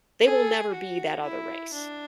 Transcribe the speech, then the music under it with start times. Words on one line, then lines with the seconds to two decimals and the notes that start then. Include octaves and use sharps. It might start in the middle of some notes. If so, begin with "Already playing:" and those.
they will never be that other race.
0.24 G#4 A4
0.74 F#4
1.23 E4
1.73 D4